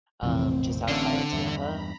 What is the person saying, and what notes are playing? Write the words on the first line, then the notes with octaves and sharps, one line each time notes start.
um, just outside of Tampa,
A#1 F2 A2 C3 E3 C4
A1 D3 C#4 D5 F5
E2 G2 E5 A#5 B5